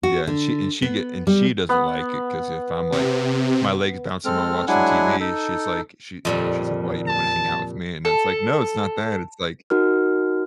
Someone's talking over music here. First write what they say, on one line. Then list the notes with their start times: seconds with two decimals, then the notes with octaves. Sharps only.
Yeah. And she and she get and she doesn't like it 'cause if I'm like my leg is bouncing while watching TV, she's like she, you know, she's like, "Why, you don't wanna hang out with me?" And I was like, "No, it's not that." It's like
0.03 F#4
0.27 D3
0.82 B3
1.27 G3
1.69 B3
2.92 C3
4.25 G#3 C4 A4 F6
4.68 F#3 G#3 D4 E4 F#5 G#5
5.20 D#4 A4
6.25 F2 A#2 G3
7.07 A5
8.05 A4
9.70 D#4 F#4 A#4 F6